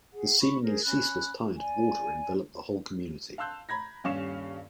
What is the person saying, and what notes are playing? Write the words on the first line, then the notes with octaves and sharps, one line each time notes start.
The seemingly ceaseless tide of water enveloped the whole community.
G#4 F#5
B5 C#6
G#4 A#4 C5
C#4 B5 F#6
D5 G#5
F5 A5 C6 E6 F#6 G6
A#5 B5 G#6 A#6
D#1 G2 C#4 F5 C#6 E7